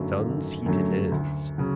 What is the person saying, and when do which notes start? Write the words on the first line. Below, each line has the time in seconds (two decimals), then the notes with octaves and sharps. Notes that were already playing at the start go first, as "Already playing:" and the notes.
Sun's heat it is.
Already playing: G#1 F#2 D3 F#3 A3
0.20 G#1
0.66 F#2 D3 F#3 A3
1.12 D2
1.58 C#3 F#3